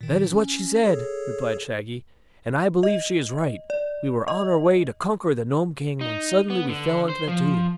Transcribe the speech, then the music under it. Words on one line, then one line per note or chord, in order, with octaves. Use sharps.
"That is what she said," replied Shaggy, "and I believe she is right. We were on our way to conquer the Nome King when suddenly we fell into the Tube."
A#2 D#3
C#4
G#4 A4 C#5
D#5
D5
D#5
D#4
B3
D3
C5
F3